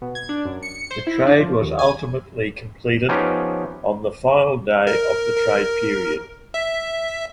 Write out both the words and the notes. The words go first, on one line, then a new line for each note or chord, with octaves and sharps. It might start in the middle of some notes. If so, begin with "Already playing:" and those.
The trade was ultimately completed on the final day of the trade period.
B2
G#6
D4
F#2
C#7
C5
E4
D4
F3
D#2
G#5
F3 B3 C#4 D#4 G4 F5
A#4
A#4
E5